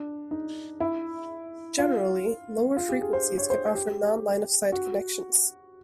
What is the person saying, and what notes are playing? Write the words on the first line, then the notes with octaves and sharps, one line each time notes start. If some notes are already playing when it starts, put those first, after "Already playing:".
Generally, lower frequencies can offer non-Line-of Sight connections.
Already playing: D4
D#4
E4
F4
F4
G4
G#4
C5
C#5
C5
G4
F#4